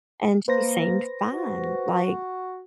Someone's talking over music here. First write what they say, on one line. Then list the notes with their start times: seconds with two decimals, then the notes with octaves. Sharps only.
and she seemed fine. Like
0.48 A#3 B4 C5 A#6
1.31 F#4